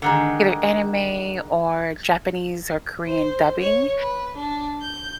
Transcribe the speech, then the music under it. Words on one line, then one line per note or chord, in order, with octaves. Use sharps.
either anime or Japanese or Korean dubbing.
D3 D#3 G#3
C5
C#5
B4
D4
G6